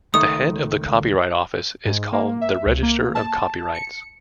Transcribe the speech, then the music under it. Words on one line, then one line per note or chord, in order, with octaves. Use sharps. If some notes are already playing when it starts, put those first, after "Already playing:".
The head of the Copyright Office is called the Register of Copyrights.
C#2 D#3 A3 D#6
G#2
A#3
E5
C#2
A#3
A5
C#7